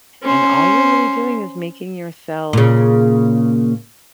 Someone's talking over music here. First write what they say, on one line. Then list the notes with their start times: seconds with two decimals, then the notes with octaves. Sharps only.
and all you're really doing is making yourself
0.23 C#4 C5
2.53 A#2 C#3